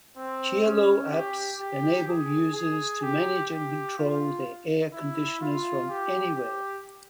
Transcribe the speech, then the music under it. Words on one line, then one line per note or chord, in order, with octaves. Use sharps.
Cielo apps enable users to manage and control their air conditioners from anywhere.
C4
C#4
G4
G4
G#4
G#4
G4
G4
F4
E4
F4
G4
G4